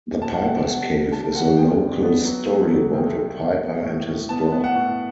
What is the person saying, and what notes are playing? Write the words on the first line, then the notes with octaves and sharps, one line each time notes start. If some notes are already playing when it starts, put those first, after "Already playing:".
"The Piper's Cave" is a local story about a piper and his dog.
B2 A5
F#5
F#3 G5
B3 F#5
D3
D2 A5
D2 F#5
B3 G5
D3
B3
F#3
F#3
F#3
C2 G5
G3
C2
B3
A2
A2
B3 A5
B3
F#5
A2